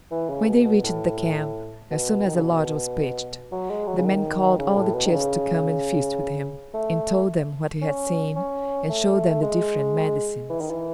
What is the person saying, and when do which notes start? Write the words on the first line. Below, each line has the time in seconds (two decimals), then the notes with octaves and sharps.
When they reached the camp, as soon as the lodge was pitched, the man called all the chiefs to come and feast with him, and told them what he had seen, and showed them the different medicines.
0.11 E3
0.29 C#3
0.47 B2
0.65 B2
0.83 A2
1.91 B2
2.26 D#3
2.36 C#3
2.44 B2
3.52 F#3
3.69 G#3
3.87 F#3
3.98 C#3
4.05 D#3
4.59 C#3
4.77 A2
4.94 B2
5.06 D#3
5.12 C#3
6.74 A3
7.82 C#4
8.36 C#4
8.89 A3
9.42 G#3
10.50 E3
10.61 D#3
10.70 E3